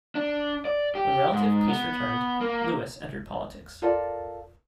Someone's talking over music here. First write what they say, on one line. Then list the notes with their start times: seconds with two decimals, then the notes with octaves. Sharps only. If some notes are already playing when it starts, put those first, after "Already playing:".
When relative peace returned, Lewis entered politics.
0.15 D4
0.65 D5
0.95 G4
1.33 G#2
1.68 B3
2.41 A#3
3.82 F4 A4 A#4 D5